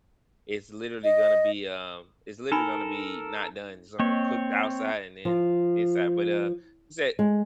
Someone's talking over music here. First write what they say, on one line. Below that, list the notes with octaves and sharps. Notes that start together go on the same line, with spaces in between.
it's literally gonna be, um, it's literally gonna be not done. It's gonna cook the outside and then inside. But, uh, she said
D#5
D#4 A4 A#4 G#5 B5
A#3 C4 C#5
F3
G#3